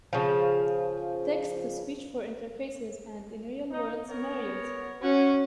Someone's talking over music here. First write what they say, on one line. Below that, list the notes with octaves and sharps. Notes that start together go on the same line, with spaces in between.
Text to speech for interfaces and in real-world scenarios.
C#3 F3
D#4
B3 A#4 C#5
C#4 F#4